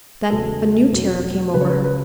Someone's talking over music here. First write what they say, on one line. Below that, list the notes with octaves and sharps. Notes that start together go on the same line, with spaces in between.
Then a new terror came over her.
E2 C#3 F#3 A4
E2 B2 F#3
C#2 C#3 F#3 B4
C#5
B4
B4